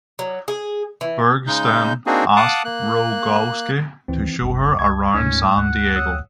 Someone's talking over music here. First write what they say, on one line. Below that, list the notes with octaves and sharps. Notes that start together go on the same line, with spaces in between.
Bergsten asked Rogowski to show her around San Diego.
F#3
G#4
E3
C#3 G#3 D#4 G6
A#3 C4 D4 D#4 F#4 G#4
F5 F#5 A5 D6 D#6 F#6
A#3 F#6
D2 D#3 E3 C4
F#1 C2 F#2
C#2 G#6
D2 G#2 A3 C#4
D2 F#5
C#5 D#6 E6